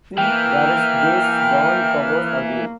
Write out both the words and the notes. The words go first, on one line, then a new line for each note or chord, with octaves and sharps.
See there's those darn covers again.
E3 A#3 G5 F6